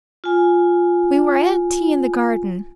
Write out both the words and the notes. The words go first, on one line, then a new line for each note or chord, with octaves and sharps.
We were at tea in the garden.
F4 G#5